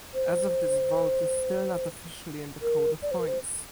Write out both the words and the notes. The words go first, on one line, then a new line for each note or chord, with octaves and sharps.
As of this vault is still not officially in the code of points.
C5
A#4
D5
C5
A#4
C5